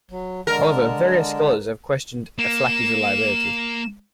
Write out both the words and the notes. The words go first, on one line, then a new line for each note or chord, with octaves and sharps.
However, various scholars have questioned Aflaki's reliability.
F#3
D3 G#3 A#4 A5
A#3 E7